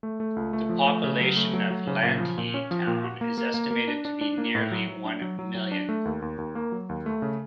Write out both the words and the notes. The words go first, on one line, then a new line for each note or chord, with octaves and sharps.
The population of Landhi Town is estimated to be nearly one million.
A3
A3
C#2
A3
F3
A3
C#3
F#3
A3
F#3
F#3
C#3
A#2
F3
A#2
C#4
F3
A#2
F#4
A#3
A#3
A#3
A#3
D4
D4
D4
A#3
A2
F#3
F#3
D4
F#3
F#3
F#3
D4
A3
D#2
D#2
D#2
A#3
F#3
D#2
A3
C#3